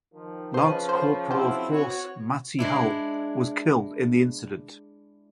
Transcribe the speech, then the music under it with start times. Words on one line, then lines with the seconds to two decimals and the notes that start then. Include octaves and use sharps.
Lance Corporal of Horse Matty Hull was killed in the incident.
0.13 D#3 F3
0.54 C#3 F3 C#4 B4 C5 D#5
0.89 C5
1.31 F#3 C4 E4 C5
1.71 F#4 C#5
2.59 G#3 D4 E4